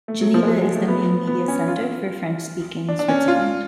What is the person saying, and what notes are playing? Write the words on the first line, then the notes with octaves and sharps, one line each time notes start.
Geneva is the main media centre for French-speaking Switzerland.
A3
F#3
F3
G#3
F#3
G#3
A3
B3
B3
C#4
F4
D4
D4
C#4
F4